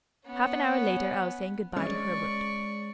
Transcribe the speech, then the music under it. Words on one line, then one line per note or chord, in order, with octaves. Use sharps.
Half an hour later I was saying good-bye to Herbert.
B3 C#4
G#3 C#4 D5 C#6